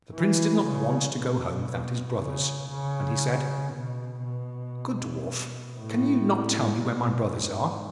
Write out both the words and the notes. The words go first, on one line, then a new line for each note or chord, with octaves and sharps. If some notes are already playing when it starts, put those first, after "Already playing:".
The Prince did not want to go home without his brothers, and he said, 'Good Dwarf, can you not tell me where my brothers are?
E3
C#3
B2
C#3
C#3
B2
B2
A2
B2
G#2